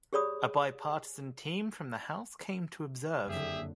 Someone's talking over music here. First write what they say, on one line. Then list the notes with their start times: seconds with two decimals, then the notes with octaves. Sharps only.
A bipartisan team from the House came to observe.
0.13 G4 G#4 C#5 D5 B5 D#6
3.28 F#1 F2 D3 G4 G#4 E5